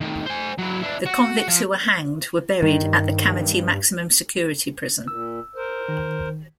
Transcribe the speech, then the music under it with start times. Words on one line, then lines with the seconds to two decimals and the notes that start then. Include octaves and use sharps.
The convicts who were hanged were buried at the Kamiti Maximum Security Prison.
0.01 A2 D#3
0.26 C5 G#5
0.59 F#3 E4
0.82 D4 E4
1.05 F#4
1.48 F3
2.62 G2 D#3
5.08 A#2 E6
5.56 A#4 C5
5.88 D#3